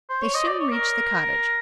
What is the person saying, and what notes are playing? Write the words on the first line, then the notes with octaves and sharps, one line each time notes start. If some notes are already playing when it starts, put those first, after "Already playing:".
They soon reached the cottage.
C5
C#5
D#5
D5
C#5
A#4